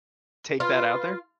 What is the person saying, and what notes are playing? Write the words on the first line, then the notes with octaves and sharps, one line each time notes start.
Take that out there?
F4 B4